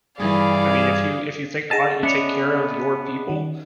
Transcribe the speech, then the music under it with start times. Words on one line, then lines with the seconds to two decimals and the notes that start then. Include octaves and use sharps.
I mean, if you if you think about it, and you take care of your people,
0.20 G2 E3 G#4 D5 F5
1.71 G#4 D#5 F#5 A5 A#6 D#7
2.03 B3 C#4 D4 E5 C#7 F7
3.30 D#3